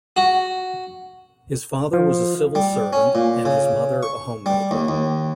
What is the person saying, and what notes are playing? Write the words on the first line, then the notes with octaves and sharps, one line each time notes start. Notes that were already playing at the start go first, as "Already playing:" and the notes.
His father was a civil servant and his mother, a homemaker.
F#4
F3
G3
C#4
A#2
C#3
C#6
G3
D#2
D#2